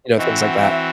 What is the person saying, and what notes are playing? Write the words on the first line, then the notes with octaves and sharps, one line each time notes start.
You know, things like that.
E3 C4 F#4 D#5
F#5
E5